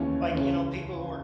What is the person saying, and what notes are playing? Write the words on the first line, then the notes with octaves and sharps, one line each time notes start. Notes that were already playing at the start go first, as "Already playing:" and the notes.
like, you know, people who are
Already playing: D#2 C#3 E3 C#4
C#2 C#3 E3 C#4